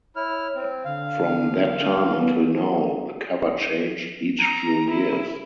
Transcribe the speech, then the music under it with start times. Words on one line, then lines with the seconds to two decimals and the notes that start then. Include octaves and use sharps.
From that time until now the cover changed each few years.
0.16 E4 C#5 F6
0.55 C4
0.85 D3 F5
2.04 B3
4.40 A#5
4.90 E4